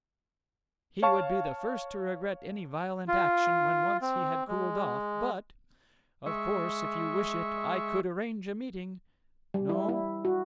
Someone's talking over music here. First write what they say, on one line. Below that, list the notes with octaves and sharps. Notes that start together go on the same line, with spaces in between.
He would be the first to regret any violent action, when once he had cooled off, but-- Of course, if you wish it I could arrange a meeting. No?
C#5 F5 A5 C#6
F4
C4
G#3
G#3 E5 C#6
G3
E4
E4
F#4